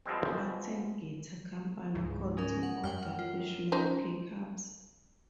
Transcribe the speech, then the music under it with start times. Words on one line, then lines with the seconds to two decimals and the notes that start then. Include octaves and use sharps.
Martin Guitar Company called to order Fishman pickups.
0.06 B2 F3 G3 G#3 C4
1.94 C#2 G#2
2.37 G#3 C#4 A#4
2.63 F#5
2.84 F#2 F#5 G5 F6
3.19 F4
3.72 C#4 D#4 C5